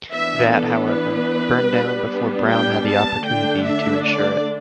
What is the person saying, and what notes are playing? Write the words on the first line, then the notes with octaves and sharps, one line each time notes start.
That, however, burned down before Brown had the opportunity to insure it.
E3 B3 D4 E5
A4
B4
G3 B3 D4
G5
A5
D3 A3 D4 G5
E5
D5